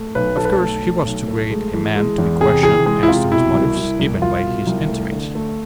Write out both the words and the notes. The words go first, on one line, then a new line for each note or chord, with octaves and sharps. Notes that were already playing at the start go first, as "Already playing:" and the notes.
Of course, he was too great a man to be questioned as to his motives, even by his intimates.
Already playing: A3
B1 B4
B1 A4
B4
A4
A3
A3
B1
A3
G#3
E3
G#3
E2
C3 G#4
E3 G#4
G#3 G#4
E4
C3 F4
B2 E4
C2
C2
C2
C2 F4
B2
C2
A3
D3
A3